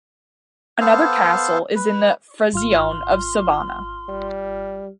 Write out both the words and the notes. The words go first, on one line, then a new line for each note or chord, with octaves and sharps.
Another castle is in the "frazione" of Sovana.
B3 A4 C5 F5
B4
G#1 F4 C6 F6
G3